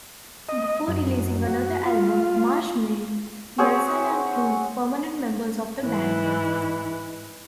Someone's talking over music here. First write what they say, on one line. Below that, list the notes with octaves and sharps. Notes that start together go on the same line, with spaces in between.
Before releasing another album, Martsch made Nelson and Plouf permanent members of the band.
D#5
F#2
F#4
F4
C4 F#4 G#4 C#5
G#2 E3